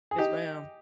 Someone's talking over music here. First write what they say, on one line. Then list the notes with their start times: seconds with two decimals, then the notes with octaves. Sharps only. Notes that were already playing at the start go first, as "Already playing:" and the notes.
Yes, ma'am.
0.11 G#4
0.18 D#4 G4